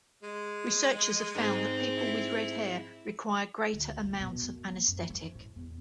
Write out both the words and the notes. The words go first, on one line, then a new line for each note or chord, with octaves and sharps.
Researchers have found that people with red hair require greater amounts of anesthetic.
G#3
G#2 C4
E4
D2
A2
B2
F#2
A#3
F#2
F3
A2
E2